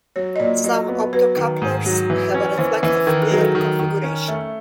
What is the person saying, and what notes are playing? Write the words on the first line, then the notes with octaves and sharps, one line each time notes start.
Some optocouplers have a "reflective pair" configuration.
F#3 C#5
D#5
A#2 D5
F#3 D#5
B3
F#3 B4
D#3
G#2
F#3
E3
C#4
E3 C5
E3
D#3 A#4
G#4
F#3
A4
D#3
D#3
C#4
A3